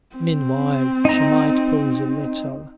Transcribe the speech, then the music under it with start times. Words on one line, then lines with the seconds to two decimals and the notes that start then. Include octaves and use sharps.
Meanwhile she might pause a little.
0.16 C4
1.05 D#4 A#5